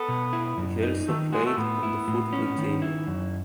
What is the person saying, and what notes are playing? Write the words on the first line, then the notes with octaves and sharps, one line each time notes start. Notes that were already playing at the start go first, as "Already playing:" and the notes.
He also played on the football team.
Already playing: B3 A4
B2
E4
F#2
D#4
D#3 A3
G#3 F#4
A3
A2 B3
E4
A2
C#4
D#3
E4
F#2